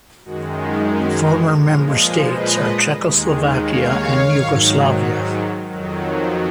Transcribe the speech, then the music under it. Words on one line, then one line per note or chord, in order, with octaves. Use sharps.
Former member states are Czechoslovakia and Yugoslavia.
F#2 D#3 G#3 F#4
F4 G#4
F#4 A#4
F#4 A#4
A#2 F3 G#3 A#4 C#5
B4 D#5
B4 D#5
D#2 D#3 G#3
C#5 F5
G#2 D#3 F#3
F2 D#3 F#3